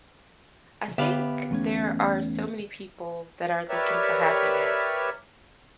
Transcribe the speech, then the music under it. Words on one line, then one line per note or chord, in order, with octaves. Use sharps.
I think there are so many people that are looking for happiness,
D3 B3 G4 E5 F5 B5
E2 A3 C#4
G4 A#4 B4 C#5 D5 E5